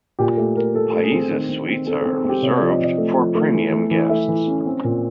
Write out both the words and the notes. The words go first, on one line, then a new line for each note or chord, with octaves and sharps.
Paiza suites are reserved for premium guests.
A#2 G4
A3 G4
A3 A#4
A3 A4
A3
G#4
C4
D#3
C4
C4
C4 A4
A4
C4
G#4
C4 G4
C3 C#5
D5
F3
D#5
C3 D#5
A3
F3
A3
E3
A3
E3
A3 E5
E3
C#4
C4
A#2